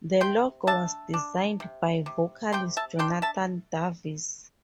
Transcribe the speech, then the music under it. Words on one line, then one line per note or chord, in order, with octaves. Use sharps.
The logo was designed by vocalist Jonathan Davis.
C3 G5 C6
D4 E5 A5
D4
C3
C3
C3 G5 C6
E5 A5
D4 G5 C6
E5 A5